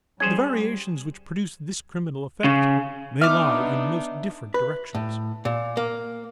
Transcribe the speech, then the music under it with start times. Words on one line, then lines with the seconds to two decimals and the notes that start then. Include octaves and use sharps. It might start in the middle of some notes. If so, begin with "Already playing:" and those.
The variations which produce this criminal effect may lie in most different directions.
0.20 G3 C#4 G#4 C5 G#6
2.44 C#3
3.21 B3 D4 D#4 E5 D6 F6
4.54 B4
4.95 A2
5.45 A#2
5.77 A#3